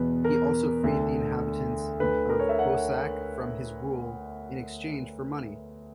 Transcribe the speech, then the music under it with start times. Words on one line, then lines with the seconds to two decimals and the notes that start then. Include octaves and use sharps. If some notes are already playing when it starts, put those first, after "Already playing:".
He also freed the inhabitants of Boussac from his rule, in exchange for money.
Already playing: E2 B2 B4
0.24 A#4
0.84 D2 D3
2.00 D2 D3 B4
2.29 A#4
2.40 C#5
2.49 E5
2.59 F#5